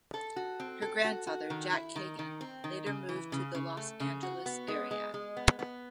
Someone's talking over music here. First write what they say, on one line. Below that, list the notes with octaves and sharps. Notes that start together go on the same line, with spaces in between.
Her grandfather, Jack Kagan, later moved to the Los Angeles area.
A4
F#4
C4
A4
F#4
F#4
D#3
E4
D#3
D#3
C4
D#3
C#3
E3
C#3
C#3
A3
C#3
F#4
B3
G#3
G#3
G#3
B3
B3